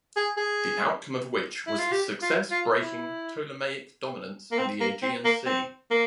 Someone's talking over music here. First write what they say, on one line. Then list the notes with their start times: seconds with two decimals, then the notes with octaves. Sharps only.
The outcome of which was the success breaking Ptolemaic dominance in the Aegean Sea.
0.16 G#4
0.37 G#4
1.67 E4
1.79 F4
1.92 G4
2.22 F4
2.51 F4
2.80 E4
4.52 A#3
4.58 C4
4.81 A#3
5.02 C4
5.25 A#3
5.46 C4
5.91 A#3